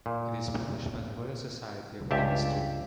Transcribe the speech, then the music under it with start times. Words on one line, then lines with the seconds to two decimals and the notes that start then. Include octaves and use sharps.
It is published by the Royal Society of Chemistry.
0.06 A#2
2.11 C#2 G2 G4 E5 A5